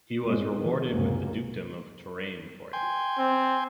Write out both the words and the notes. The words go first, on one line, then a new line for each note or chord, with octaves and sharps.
He was rewarded with the dukedom of Touraine for it.
E2 G2 G#3 C4
B2 D#3 E3
C#2 F#2 A2 C3 F#3 A#3
G5 G#5 C6
C4